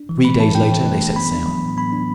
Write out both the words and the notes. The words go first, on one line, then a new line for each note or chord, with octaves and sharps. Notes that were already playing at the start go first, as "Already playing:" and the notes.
Three days later they set sail.
Already playing: D4
E3
A3 B5
E3 A5
D4 G5
E3
A3
E3
B3 B5
D4
F#3
A2
B3 B5
D4